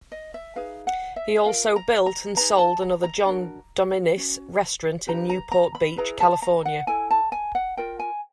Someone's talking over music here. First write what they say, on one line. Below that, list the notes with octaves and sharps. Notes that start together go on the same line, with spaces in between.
He also built and sold another John Dominis Restaurant in Newport Beach, California.
D#5
E5
D#4 G#4 B4 F5
F#5
E5
F4 A#4 F5
A#5
A#5
D#4 G#4 B4 A#5
A5
A#5
A#5
D4 F#4 A#4
C#4 F#4
D4 G4 B4 A#5
A#5
A#5
B5
E4 G#4 B4 A#5
A5
A#5
F#5
E4 A4 G#5
A5
G#5
F#5
F4 A#4 G5
G#5